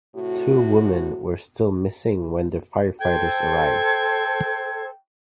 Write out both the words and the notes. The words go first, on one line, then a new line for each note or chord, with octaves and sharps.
Two women were still missing when the firefighters arrived.
A2 C3 F#4
A4 C5 G5 G#6